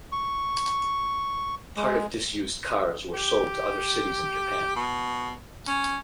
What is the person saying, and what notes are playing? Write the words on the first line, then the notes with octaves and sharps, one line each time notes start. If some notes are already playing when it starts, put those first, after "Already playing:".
Part of disused cars were sold to other cities in Japan.
C#6
G#3
G4
B2
C#4